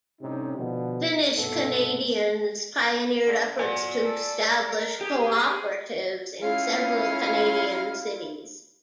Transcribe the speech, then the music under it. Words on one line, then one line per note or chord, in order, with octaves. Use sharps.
"Finnish Canadians" pioneered efforts to establish co-operatives in several Canadian cities.
A2 C3 G3 C#4 D#4
B2 D3 F3
C2 G2 B2 A3 B3 A4
D3
F#3 D5 G#5
A4
A#4
G4 G#4
C#4 E4 F4 F5